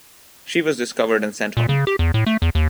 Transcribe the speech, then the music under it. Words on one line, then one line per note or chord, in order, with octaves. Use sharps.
She was discovered and sent home.
A#2
C#3
G4
E2
A2
A3
E2
D#2